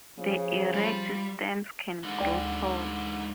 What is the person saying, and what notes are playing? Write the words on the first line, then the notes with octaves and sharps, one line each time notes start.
The erect stems can grow tall.
C#3 F3
G3 F4 B5
G#2 D3
D2 D5 G5